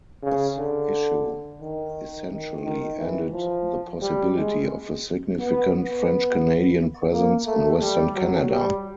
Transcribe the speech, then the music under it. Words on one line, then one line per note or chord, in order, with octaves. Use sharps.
This issue essentially ended the possibility of a significant French-Canadian presence in western Canada.
C#3
D3
D#3
D#3
D#3
E3
F3
G3
G#3
B3
B3
A#3
A3
G3
F#3
G3